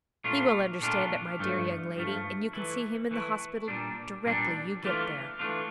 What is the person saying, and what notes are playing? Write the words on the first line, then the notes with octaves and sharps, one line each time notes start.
"He will understand it, my dear young lady, and you can see him in the hospital directly you get there."
A#2 A3 D4 F4
A#2 A3 D4 F4
G2 F3 A3
G2 F3 A3
E3 A3 E4
E3 A3 E4
A#2 G3 D4
A#2 G3 D4
E3 A3 D4 F4
E3 A3 D4 F4